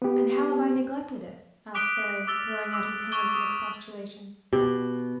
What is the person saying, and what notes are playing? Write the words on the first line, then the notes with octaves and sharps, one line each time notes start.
"And how have I neglected it?" asked Ferrier, throwing out his hands in expostulation.
B3 G4
D6 D#6 F#6 B6 D7 G7
D6 E6 F6 A6 G7
D6 E6
C#6 D6 G#6 G7
D6 D#6
B2 G4